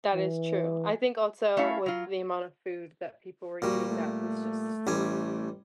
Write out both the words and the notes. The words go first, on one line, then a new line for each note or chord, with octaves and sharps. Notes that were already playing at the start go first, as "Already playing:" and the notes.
That is true. I think, also, with the amount of food that people were eating, that was just s
E3
A3 C#4 E4 F5
F#3 F4
A#2 G3 F#4
A3
A1 G3 G#5